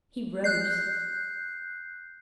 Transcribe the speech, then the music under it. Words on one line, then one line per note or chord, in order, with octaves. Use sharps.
He rose.
F#6 G6 C7